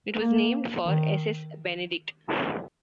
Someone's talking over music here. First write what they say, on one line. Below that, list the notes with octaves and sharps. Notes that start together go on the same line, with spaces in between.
It was named for S. S. Benedict.
A#3
D#3